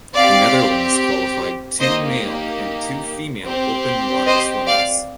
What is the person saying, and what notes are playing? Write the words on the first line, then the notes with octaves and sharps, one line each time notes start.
The Netherlands qualified two male and two female open water swimmers.
C4 G4 D5 F5
A#3 D#4 G4 C5 D#5
C4 G4
C5 D#5
D5 F5